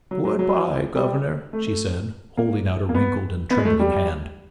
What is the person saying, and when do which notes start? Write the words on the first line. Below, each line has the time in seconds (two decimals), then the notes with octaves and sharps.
"Good-bye, governor," she said, holding out a wrinkled and trembling hand.
0.11 F#3
0.25 F#3
0.39 F#3
0.96 G3
1.53 A3
1.66 A3
2.37 A#3
2.89 A#3
2.95 B3
3.50 B3
3.58 G#3
3.65 A3
3.79 G3